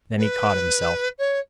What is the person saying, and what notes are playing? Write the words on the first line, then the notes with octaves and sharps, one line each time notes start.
Then he caught himself.
B4
C#5